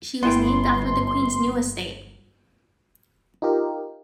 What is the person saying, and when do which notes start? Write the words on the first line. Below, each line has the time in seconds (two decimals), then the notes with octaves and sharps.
She was named after the Queen's new estate.
0.23 G1 B3 E4 G5 C6
3.42 D#4 F4 G4 A#4